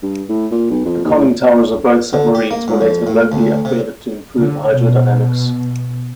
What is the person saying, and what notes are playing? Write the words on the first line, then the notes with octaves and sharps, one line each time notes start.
The conning towers of both submarines were later locally upgraded to improve hydrodynamics.
G2
A2
A#2
B1
F2
D#2
A2
D3
G4
A#3
G#2
F2
A2
D2
C3
D3
B2